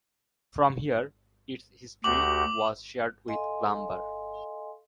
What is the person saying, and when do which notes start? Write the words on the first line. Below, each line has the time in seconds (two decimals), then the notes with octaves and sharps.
From here its history was shared with Clumber.
2.04 D2 F#4 G4 D6 F#7
3.28 A4 D#5 F5 G#5 C6